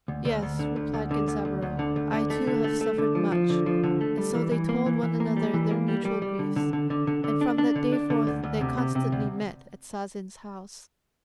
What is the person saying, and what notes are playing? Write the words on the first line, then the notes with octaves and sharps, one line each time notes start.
"Yes," replied Genzaburo, "I too have suffered much;" and so they told one another their mutual griefs, and from that day forth they constantly met at Sazen's house.
D2
D2
D2
D3
D2
D2
D3
D2
D2
D2
D3
D2
D3
A3
D3
A3
A3
D3
F3
F3
D3
F3
D3
A3
G3
E3
E3
A#3
E3
E3
A#3
G3
E3
A#3
G3
G3
G3
D3
D3
D3
D3
D3
D3
D4
D4
D3
D4
D3
D2
D2
C3
C3
C3
D2